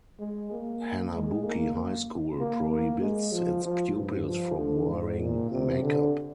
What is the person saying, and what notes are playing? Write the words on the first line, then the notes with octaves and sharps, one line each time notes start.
Hanabuki High School prohibits its pupils from wearing makeup.
G#3
A#3
G#3
A#3
A#3
A#3
A#3
G#3
F3
F3
G2
F3
D3
G#2
A#2
C3
D3